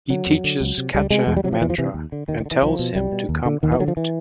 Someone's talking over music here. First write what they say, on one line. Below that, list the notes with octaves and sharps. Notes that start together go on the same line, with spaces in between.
He teaches Kacha Mantra and tells him to come out.
D3 F#3
F2
D3
C#2
C3
C#2 G3
C3 G#3
E2 G#3
G3
C3 F#3
F3
E2 E3
F3
C3 E3
D#2
D3
D#2 D#3
D#3
D3
E3
C2 F3
B2
C2 G3
B2
D#2
D3
D#2 D#3
E3
D3 F#3
F3
E3